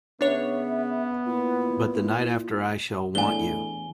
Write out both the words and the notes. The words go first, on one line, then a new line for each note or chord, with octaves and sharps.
But the night after I shall want you.
C#3 B3 D4 C#5 E5
A#2 E4
E2 A2 D4 G#5 G7